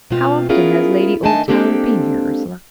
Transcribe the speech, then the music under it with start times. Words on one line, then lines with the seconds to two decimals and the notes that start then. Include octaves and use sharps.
"How often has Lady Oldtower been here, Ursula?"
0.10 B2 A3 C4 F4
0.49 B3 C#4 E4 F4 G#4 A#4
1.23 D#3 A3 D4 D#5 G#5 A5
1.48 G#3 A#3 C4 D4 G4 A4